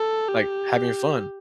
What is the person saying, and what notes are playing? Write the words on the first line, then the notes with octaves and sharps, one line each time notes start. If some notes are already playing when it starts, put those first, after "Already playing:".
like, having fun,
Already playing: A4
G4